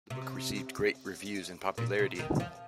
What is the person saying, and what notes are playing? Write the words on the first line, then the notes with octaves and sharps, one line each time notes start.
The book received great reviews and popularity.
C3
A#2
C3
D#3
F3